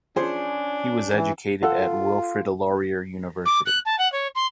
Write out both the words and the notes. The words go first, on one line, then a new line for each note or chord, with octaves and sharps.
He was educated at Wilfrid Laurier University.
F3 C#4 D4 G#4 C5
E3
F4 A4 F#5
D6
F#6
A5
F#5
C#5
C6